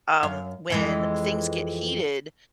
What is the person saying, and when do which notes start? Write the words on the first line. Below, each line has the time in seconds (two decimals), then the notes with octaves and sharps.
Um, when things get heated,
0.23 F#2 F5
0.70 F2 E3 G#3